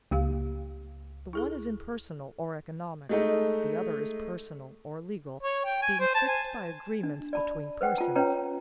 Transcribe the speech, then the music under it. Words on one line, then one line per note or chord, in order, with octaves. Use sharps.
The one is impersonal or economic; the other is personal or legal, being fixed by agreements between persons.
C#2 A#3 G4 F5
E4 G#4 A4
G#3 A3 D#4
C#5
G5
G#5
C5
A5
G#5
D4
D5 A5 B5
B4 C5 F#5 G5
F4 A5
C#4 B4 C#5 G5 A#5